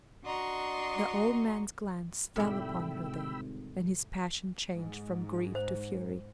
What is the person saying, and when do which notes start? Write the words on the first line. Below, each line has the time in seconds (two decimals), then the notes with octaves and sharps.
The old man's glance fell upon her there, and his passion changed from grief to fury.
0.23 D4 F#4 D#5 A#5 C6 C#6
2.36 G#1 A2 C3 G3 G5 B5 E6
4.76 G#2
5.55 C5